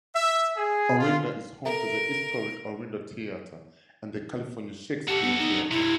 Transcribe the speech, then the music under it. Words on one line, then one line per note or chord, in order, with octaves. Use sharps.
Orinda is home to the historic Orinda Theatre and the California Shakespeare Theater.
E5
G#4
F4
A4 A#4 E5 A#5
F#4 G4 A4
B3
D#4
G2 C3 E4